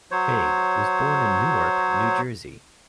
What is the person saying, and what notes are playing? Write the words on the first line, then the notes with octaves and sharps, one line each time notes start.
Haig was born in Newark, New Jersey.
F#3 C5 C#5